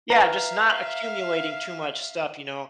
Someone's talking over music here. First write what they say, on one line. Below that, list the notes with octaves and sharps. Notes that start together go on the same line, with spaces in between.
Yeah, just not accumulating too much stuff, you know,
B4 E5 F5 A#5